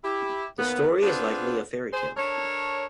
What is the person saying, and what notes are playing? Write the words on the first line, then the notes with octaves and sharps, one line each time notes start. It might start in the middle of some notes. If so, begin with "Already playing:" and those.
The story is likely a fairy tale.
E4 G4
D#2 B3
B3 C4 D4 F4 G#4 B4
G#4 C5
D4 A4 A#4 C#5